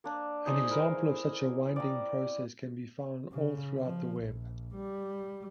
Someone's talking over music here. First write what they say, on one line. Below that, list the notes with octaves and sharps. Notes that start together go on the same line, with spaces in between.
An example of such a winding process can be found all throughout the web.
A#3 D4
D#4 G#4 C5 G#5
E4 A#4
D5 G5 A#5
C#3
F3
A#1
G3